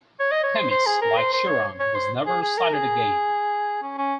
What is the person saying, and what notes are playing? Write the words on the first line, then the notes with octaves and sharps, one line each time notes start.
Themis, like Chiron, was never sighted again.
C#5
D#5
C#5
C5
C5
G#4
A#4
C5
C5
C#5
C#5
C5
G#4
G#4
A#4
G#4
C#4
C#4